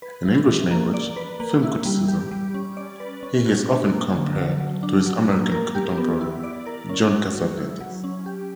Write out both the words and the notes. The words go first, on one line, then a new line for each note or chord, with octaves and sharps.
In English-language film criticism, he is often compared to his American contemporary John Cassavetes.
B4
E4
E3
A#3
D5
B4
A#3
E4
G3
G4
G3
C#4
D5
B4
C#4
F#4
D4
A#3
D3
F#3
F#3
D4
F#3
A#3
A#4
G4
B3
E4
D5
A#4
C#4
F#4
F#3
E4
F#3
C#4
G4